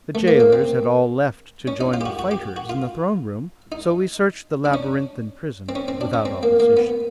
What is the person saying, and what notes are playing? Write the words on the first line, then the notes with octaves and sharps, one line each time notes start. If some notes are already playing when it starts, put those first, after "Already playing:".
The jailers had all left to join the fighters in the throne room, so we searched the labyrinthine prison without opposition.
A3
A#3
A#3
C4
C#4
D#4
F4
G4
F#4
F#4
G4
F#4
F4
D#4
D4
C#4
C4
C#4
C4
D4
C#4
C4
A#3
A#3
B3